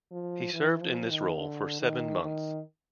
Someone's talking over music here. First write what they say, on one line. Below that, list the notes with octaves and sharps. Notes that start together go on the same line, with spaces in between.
He served in this role for seven months.
F3
E3
F3
D#3
D3
D#3
D#3